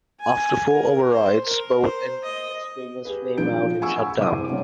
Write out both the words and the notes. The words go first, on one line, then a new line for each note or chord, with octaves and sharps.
After four overrides, both engines experienced flameout and shut down.
G#5
A#4
C5
A#4
C5
D#5
G4 G#4 B4
A#2 F3 D4 G6 D7
G#4 F#5 G#5 B5 C#6 E6
F#1 C2 C5 D6 D#7
F#3 G#3 C4 C#4 D5